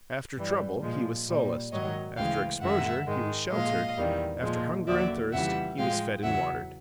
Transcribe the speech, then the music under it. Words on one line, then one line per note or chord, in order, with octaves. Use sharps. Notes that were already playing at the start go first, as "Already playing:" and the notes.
After trouble, he was solaced; after exposure, he was sheltered; after hunger and thirst, he was fed and watered.
G2 E3 G3
A#2 F3 G#3
A#2 G3
G#2 D#3 F#3 C#5 D#5
D2 C#3 E3 G#3 F5 G5
F#2 D#3 G#3 E5 F#5
G#2 D#3 G#3
A#2 F3 G#3 D#5 F5
E2 C3 D#3 G3
A#2 F3 G#3
D#2 D3 F#3 D5 E5
F2 C#3 E3 G3 E5 F#5
A2 F3 G#3 F5 G5
E2 C#3 F#3 E5 F#5